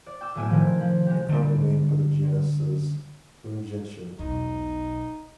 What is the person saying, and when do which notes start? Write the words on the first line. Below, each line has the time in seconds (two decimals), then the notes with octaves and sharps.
The common name for the genus is 'Moon-gentian'.
0.06 D5
0.21 G5 D6 E6
0.35 B1 A2 A3 G#5 E6 D7
0.49 C3 D#3 F3 D7
0.80 F3
1.06 G#3 C4 G4
1.29 D3 G3
4.18 E1 B1 D#4